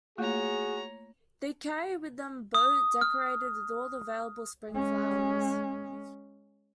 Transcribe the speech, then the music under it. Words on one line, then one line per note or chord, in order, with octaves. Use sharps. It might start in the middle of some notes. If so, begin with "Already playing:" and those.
They carry with them a boat decorated with all the available spring flowers.
A3 A#3 F4 F#4 G#4 C#5 A#5
D#6
F6
G#3 C#4